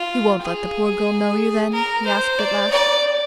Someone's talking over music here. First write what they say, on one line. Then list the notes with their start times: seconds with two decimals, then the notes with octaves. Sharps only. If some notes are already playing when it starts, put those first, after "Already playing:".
"You won't let the poor girl know you then?" he asked at last.
Already playing: F4
0.41 G#4
1.72 A#4
2.06 C5
2.39 D5
2.71 D5